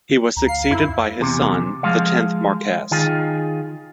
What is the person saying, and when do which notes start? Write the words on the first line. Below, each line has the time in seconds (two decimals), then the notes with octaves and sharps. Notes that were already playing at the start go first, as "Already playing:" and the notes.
He was succeeded by his son, the tenth Marquess.
0.37 D2 A#5
0.48 F5 C7
0.71 F#2 E4
1.20 E2 C3
1.83 F3 G#3 F5
2.91 D#3 F4 G#4